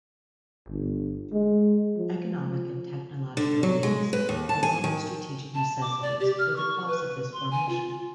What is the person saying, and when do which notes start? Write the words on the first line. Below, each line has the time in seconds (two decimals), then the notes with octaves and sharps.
Economic and technological needs along with strategic necessities were the cause of this formation.
0.69 G1
1.33 G#3
1.98 F3
3.37 D3
3.63 F#3
3.83 G#3
4.13 B4
4.29 D#2
4.49 A5
4.63 G#5
4.84 D#3
5.54 A5
5.81 D6
6.02 D5
6.20 G4
6.39 F6
6.56 C#6
6.88 B4
7.33 C6
7.51 G#5
7.69 F4